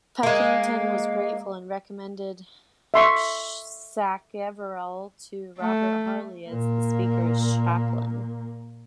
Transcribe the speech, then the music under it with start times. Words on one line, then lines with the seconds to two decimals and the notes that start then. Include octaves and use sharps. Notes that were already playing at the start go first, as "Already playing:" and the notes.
Pakington was grateful and recommended Sacheverell to Robert Harley as the Speaker's chaplain.
0.23 G#3 A#3
2.94 E5 C6 C#6
5.59 A3
6.49 A#2 A#3